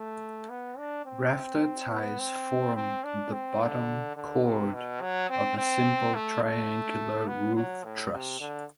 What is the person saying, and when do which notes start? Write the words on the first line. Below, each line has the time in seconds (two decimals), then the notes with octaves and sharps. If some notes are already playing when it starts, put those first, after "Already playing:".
Rafter ties form the bottom chord of a simple triangular roof truss.
Already playing: A3
0.49 B3
0.78 D4
1.06 C4
1.91 B3
2.19 C4
2.75 C4
3.04 D4
3.33 C4
3.61 D3
4.17 D3
4.45 C3
4.74 B2
5.01 F#3
5.30 C4
5.58 C4
6.15 A3
6.43 A3
7.27 B3
7.56 F#3
7.84 A2
8.12 C3
8.41 D3